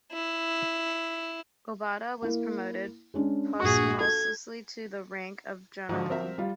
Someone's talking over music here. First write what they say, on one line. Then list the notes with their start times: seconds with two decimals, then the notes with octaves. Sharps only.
Obata was promoted posthumously to the rank of general.
0.13 E4
2.22 A#3 E4
3.14 G#3 C#4 D4
3.60 A#1 G2 F#4 G#4 C#6
4.00 A4 G#6
5.89 G#2 D3 F3 F#4
6.10 C4 A#4 E5
6.38 G3 F4